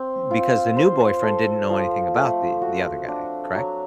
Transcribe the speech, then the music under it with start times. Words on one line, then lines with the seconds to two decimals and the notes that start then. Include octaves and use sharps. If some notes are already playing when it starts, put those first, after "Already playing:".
because the new boyfriend didn't know anything about the the other guy, correct?
Already playing: C4
0.31 F4
0.77 C5
1.23 A4
1.70 F3
2.15 A3
2.62 F#4
3.08 D4
3.55 F#3